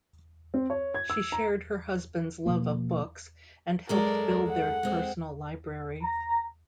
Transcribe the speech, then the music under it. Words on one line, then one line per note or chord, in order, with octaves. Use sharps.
She shared her husband's love of books and helped build their personal library.
C4
C#5
G#6
E6
A#5
B2 F3 A#3
F#2 G#3 A4 A#4 D5
F#5
G#3 C4
A#5